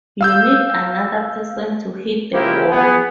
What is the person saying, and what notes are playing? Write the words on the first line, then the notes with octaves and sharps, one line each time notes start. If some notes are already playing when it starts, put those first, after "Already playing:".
You need another person to hit the ball.
F5 E6 G6
C#3 G#3 A#3 E4 F4 G4
B3 G#4